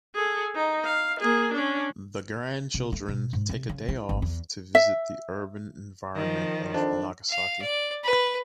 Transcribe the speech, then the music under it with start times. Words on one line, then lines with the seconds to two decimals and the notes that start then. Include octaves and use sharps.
The grandchildren take a day off to visit the urban environment of Nagasaki.
0.14 G#4 A4
0.55 D#4
0.85 F5
1.20 A#3 G#4
1.53 C#4 D4
2.74 C3
2.92 A3
3.08 B2
3.33 G#2
3.49 C3
3.69 C#3
3.89 E4
4.09 G#1
4.22 E2
4.75 E5
6.15 D#3 F3
6.74 F2 D4
7.29 F5
7.62 D5
8.04 B4